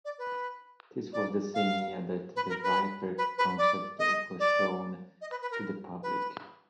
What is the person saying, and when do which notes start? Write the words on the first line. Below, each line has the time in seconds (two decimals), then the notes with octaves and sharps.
This was the same year that the Viper concept was shown to the public.
0.04 D5
0.18 B4
1.13 D5
1.54 F5
2.36 B4
2.49 A#4
2.62 B4
3.17 B4
3.38 B4
3.58 D5
3.98 D#5
4.39 D5
5.21 D#5
5.30 B4
5.41 B4
5.51 A#4
6.02 B4